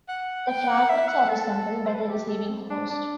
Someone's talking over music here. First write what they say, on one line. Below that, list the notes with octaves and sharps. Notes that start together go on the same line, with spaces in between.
The fragments are reassembled by the receiving host.
F#5
G5
F#5
E5
F#5
A4
C5
B4
A4
G4
A4
C4
D4
D4